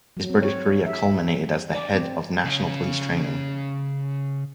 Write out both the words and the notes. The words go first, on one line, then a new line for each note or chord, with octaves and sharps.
His British career culminated as the Head of National Police Training.
F#3
C4
C#5
E5
D5
C4
C#3 C#4